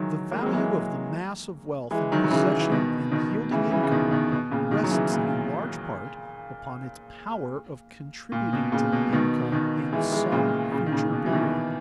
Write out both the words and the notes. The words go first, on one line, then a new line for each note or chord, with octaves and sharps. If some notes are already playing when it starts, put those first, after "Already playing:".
The value of the mass of wealth in possession and yielding income, rests in large part upon its power of contributing to income in some future period.
Already playing: D#3 E3 F#3 G#3
A#3
G#3
F#3
E3 G#3
E3 G#3
D#3 F#3
F#3
C#3 E3
E3
B2 D#3
B2 D#3
C#3 E3
C#3 E3
C#3
B2 D#3
B2 D#3
B2
A#2 C#3
B2 D#3
F#3
C#3 E3
A#2 C#3
A#2
B2
A#2 C#3
B2
B2 D#3
B2 D#3
E3 G#3
E3 G#3
A#2 C#3
A#2 C#3
D#3
A#2 C#3
B2
E3
B2 D#3